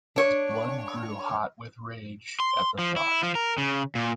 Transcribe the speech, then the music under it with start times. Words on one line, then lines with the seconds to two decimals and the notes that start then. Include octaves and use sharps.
His blood grew hot with rage at the thought.
0.16 D4 C#5
2.40 C6
2.79 F3
2.96 E4
3.23 F3
3.35 A#4
3.58 C#3
3.95 A#2